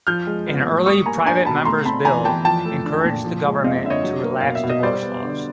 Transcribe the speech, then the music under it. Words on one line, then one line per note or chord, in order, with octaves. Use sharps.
An early private member's bill encouraged the government to relax divorce laws.
F3 F6 G6
G#3
B3
A2
G3 C#6 D#6
A#3 G#5 A#5
D4 G#5 A#5
B2 A5 B5
A3 A#5 C6
C4 A5 B5
E3 G#5 A#5
E3 G5 A5
F3 G5 A5
A3
D4
A#2
F3
G#3
C4 D#5 F5
D3 E5
C#5 D#5
F#3
A#3
B2 F5
E5
B2
D#5
G3 C5 D5
B3
D3